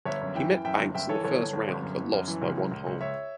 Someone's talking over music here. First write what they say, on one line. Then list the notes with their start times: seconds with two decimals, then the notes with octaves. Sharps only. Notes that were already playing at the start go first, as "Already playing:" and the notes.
He met Banks in the first round but lost by one hole.
0.06 G1 C#5 E5
0.21 F#2
0.35 E3 E5 G5
0.50 E3
0.64 F#2 E5 G5
0.80 G1
0.95 G1 E5 G5
1.09 E3 A4 C#5
1.23 G1 A4 C#5
1.39 G1
1.53 G1
1.68 G1
1.83 F#2
1.98 G1
2.13 F#2
2.28 E3
2.42 C#2
2.57 C#2
2.72 C#2
2.87 C#2
3.01 C#2 C#5 E5